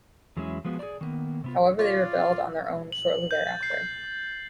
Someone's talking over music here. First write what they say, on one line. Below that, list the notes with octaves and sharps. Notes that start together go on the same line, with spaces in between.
However, they rebelled on their own shortly thereafter.
E2 F#3 G#3 C#4 E4 G#4
F3 G#3 B3 F#4
G#4 D5
D#3 A#3 B3
C3 B3 F4
F4 C#5 D5 F5
F#7
G6
A6
C7